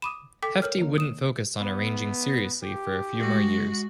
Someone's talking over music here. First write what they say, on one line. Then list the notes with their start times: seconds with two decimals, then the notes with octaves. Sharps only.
Hefti wouldn't focus on arranging seriously for a few more years.
0.02 B5 D6 D#6 D#7 E7
0.43 A4 G5 D6 B6
0.62 A#4 C#5 F6
0.79 D#3 A#3
0.98 D#6 E7
1.61 B3
2.63 G4
3.19 G#3 F#4